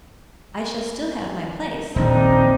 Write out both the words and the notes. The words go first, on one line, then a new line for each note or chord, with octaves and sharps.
"I shall still have my place."
D#1 A#1 C4 D4 D#4